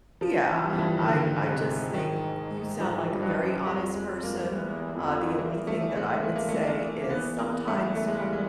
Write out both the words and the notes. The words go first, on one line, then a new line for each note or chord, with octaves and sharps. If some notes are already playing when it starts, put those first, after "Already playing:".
yeah, I I just think you sound like a very honest person, uh, the only thing that I would say is sometimes
F3
E3
G2
F3
E3
D#3
G#2 D3
C3
D#3
G#2 F3
G2
F#3
F#2
F2 G3
G#3
F2
A#3
E2 B3
F2
E2 A#3
A3
G#3
A3
A#3
A3
A#3
A#3
B3
A#3
A3
A3
G#3
G3
G#3